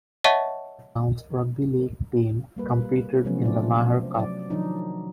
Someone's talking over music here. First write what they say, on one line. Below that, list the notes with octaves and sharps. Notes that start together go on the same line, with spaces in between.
The town's rugby league team competed in the Maher Cup.
C#5 D#5 E5 F#5 A5 C#6
G3 A#3 B4
C3 F3 F#3 A3 B3 C#4
A3 D4 F4 D5
F#3 D5
D#3 F3 F#3 D4 D#4